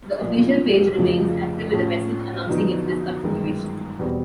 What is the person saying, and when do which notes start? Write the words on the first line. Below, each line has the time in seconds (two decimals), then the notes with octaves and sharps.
The official page remains active with a message announcing its discontinuation.
0.21 B1 A#2 F3
0.97 F1 F2 C#3 F3
1.73 A2 F3 A3 C#4
2.48 F2 D3 F#3 B3 D#4
3.24 G1 F#2 D#3 G#3
3.99 E2 B2 G3 C4